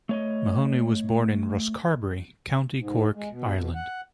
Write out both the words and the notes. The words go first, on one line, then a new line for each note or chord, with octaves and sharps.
Mahony was born in Rosscarbery, County Cork, Ireland.
A3 C#5 D#5
G#2
G#3
B2
B2
F#5